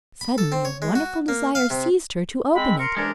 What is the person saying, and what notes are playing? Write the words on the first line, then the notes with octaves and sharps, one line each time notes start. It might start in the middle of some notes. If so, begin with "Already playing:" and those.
Suddenly a wonderful desire seized her to open it.
B5
A4
C4
C#5
G#3
F#4
A#3
F5
C3
G#3 C4 B5
A#4 C6 C#7
C2 E3 G#3 C#4 D4 A#4